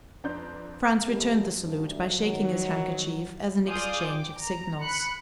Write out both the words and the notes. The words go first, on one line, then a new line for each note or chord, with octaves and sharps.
Franz returned the salute by shaking his handkerchief as an exchange of signals.
F2 D4 B4 A#5 C6 G6
E3 G3 B3 G4 A4 A#4
D2 G2
D#3 F#3
F4 G#4 D5 F5 D#6 G6
G5 D6
A#5
B5 F#6 C#7